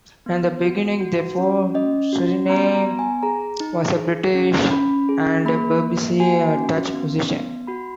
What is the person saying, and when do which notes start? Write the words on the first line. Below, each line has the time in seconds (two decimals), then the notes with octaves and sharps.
In the beginning, therefore, Suriname was a British and Berbice a Dutch possession.
0.26 B3
0.64 F#4
1.01 F#4
1.38 C#4
1.74 C#4 D#5
2.13 F#4
2.49 B3 A#5
2.74 A#5
2.87 B3
2.99 G#5
3.23 G#4 A#5
3.60 D#4
3.97 G#4
4.35 C#4
4.71 C#4 B5
5.09 G#4
5.45 A#3 B5
5.82 A#3
6.20 F#4 G#5
6.56 C#4
6.94 B3
7.30 B3
7.67 F#4 B5